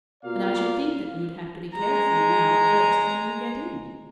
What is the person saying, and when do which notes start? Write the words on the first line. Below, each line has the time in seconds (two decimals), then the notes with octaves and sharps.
And I should think that you'd have to be careful now at first whom you get in.
0.23 B2 A#3 F4 D5 F5
1.74 G#3 A#5